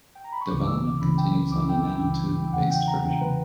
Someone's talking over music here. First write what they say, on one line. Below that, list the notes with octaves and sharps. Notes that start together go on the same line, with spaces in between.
Development continues on a nanotube based version.
G5
A#5
B5
C#6
C#2 C#3 E3 D6
D6
E6
D6
C#2 C#3 E3 B5
G5
C#2 C#3 E3 D6
G5
G5
C#2 C#3 E3
E2 C#3 E3 F#5
G5
A#5
E2 C#3 E3 G5
B4